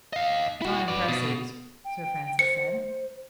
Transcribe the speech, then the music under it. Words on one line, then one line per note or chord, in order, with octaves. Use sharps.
"Time presses," Sir Francis said.
D#5 F5
E4 F#4
B4 D5
B2
G5
C5 C#7